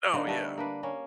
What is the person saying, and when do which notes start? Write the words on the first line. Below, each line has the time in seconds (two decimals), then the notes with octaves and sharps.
Oh, yeah,
0.14 D3 A#3 B3 D#4
0.27 G3 A3 A4 B4
0.58 A#3 D4 B4
0.83 A#3 C#4